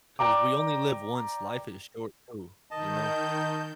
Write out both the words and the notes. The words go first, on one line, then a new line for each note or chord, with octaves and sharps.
'Cause we only live once. Life is short too. You know?
D5 G5 A#5 D6
D#3 D#5 A5 G6